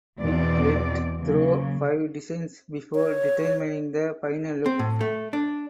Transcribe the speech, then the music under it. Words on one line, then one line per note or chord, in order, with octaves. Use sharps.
It went through five designs before determining the final look.
E2 B2 C4 D5
C#3 F#3 A#3
C#5
C4
A2
A3
D4